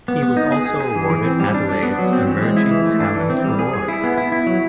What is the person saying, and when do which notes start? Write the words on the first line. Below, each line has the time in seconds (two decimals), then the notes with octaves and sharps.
He was also awarded Adelaide's Emerging Talent Award.
0.08 B3
0.23 B3
0.37 D#4
0.52 G#4
0.66 G#4
0.81 G#4
0.95 E3
1.10 E3
1.24 C4
1.40 G3
1.54 D4
1.69 D4
1.83 B3
1.99 F#3
2.13 C4
2.27 E3
2.42 G#3
2.56 E4
2.71 E3
2.86 A3
3.00 D4
3.15 E3
3.30 C4
3.44 G3
3.59 G#4
3.74 G#4
3.88 E4
4.04 B3
4.18 E4
4.32 E4
4.47 F#3